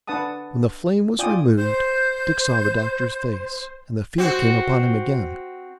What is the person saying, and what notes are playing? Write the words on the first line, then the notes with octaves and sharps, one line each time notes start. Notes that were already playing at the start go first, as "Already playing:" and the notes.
When the flame was removed, Dick saw the doctor's face, and the fear came upon him again.
D4 B4 F#5 A5 D#6
F4 D5 G5 G#5 D6 D#6
C5 G6
C4 F#4